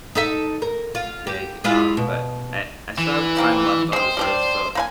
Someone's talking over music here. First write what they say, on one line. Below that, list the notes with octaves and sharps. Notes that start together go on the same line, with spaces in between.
big, um, but I I still have time left on this earth, so,
D#4 A4 E5
A#4
F4
G4
G#3 E4 F4
B2
E3
D#3 A#3 C4
G#3 C4 C5
G3 D4 G4
A#3 B4 G#5